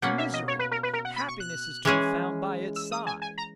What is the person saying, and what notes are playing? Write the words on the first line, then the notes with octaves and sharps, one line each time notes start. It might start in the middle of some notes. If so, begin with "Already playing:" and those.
Misery!--happiness is to be found by its side!
B2 A#3 C#4 F#5
E5
D#5
C#5
B4
A#4
B4
A#4
F#5
B5
C#6
F#6
E3 G#3 C#4 G#4
E6
D#6
G#5
G#5
A#5